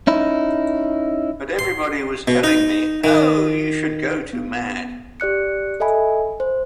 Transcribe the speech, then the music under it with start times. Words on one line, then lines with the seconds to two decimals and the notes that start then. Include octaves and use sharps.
But everybody was telling me, 'Oh, you should go to "Mad".
0.07 C#4 D#4 E4
1.59 C6
2.28 B2
2.44 D#4
3.04 D#3
4.33 B3
5.20 G4 D5 F#6 C#7
5.80 A4 D#5 E5 G#5 B5
6.40 C5